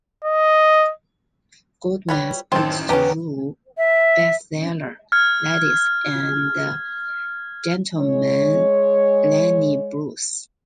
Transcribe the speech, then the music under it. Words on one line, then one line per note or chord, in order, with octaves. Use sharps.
Goldman's breakthrough bestseller, Ladies and Gentlemen - Lenny Bruce!!
D#5
G3 B4 C#5
A1 F#2 D#3 C4 A4
E2 C#4 G4 B4 A5 A#5
E5
F6 G#6
G#3 C#5